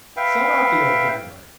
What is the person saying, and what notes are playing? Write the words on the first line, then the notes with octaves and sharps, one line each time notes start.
'Sell out the old gambler!
B4 E5 F5 G5